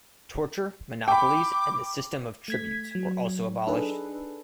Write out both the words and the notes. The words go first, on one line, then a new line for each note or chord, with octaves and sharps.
Torture, monopolies and the system of tributes were also abolished.
G5 B5 D6
A3 G#6 B6
F#3
D4 D#4 G#4 A4 B4